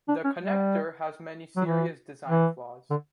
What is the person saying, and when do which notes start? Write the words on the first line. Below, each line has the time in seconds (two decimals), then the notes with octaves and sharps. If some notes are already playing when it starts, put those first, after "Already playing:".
The Connector has many serious design flaws.
0.08 D4
0.24 C#4
0.40 G3
1.57 F#3
1.65 E3
2.28 E3
2.90 D3